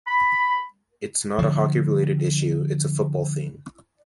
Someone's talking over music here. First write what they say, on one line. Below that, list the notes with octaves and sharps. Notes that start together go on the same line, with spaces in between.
It's not a hockey-related issue, it's a football thing.
B5
D3 F3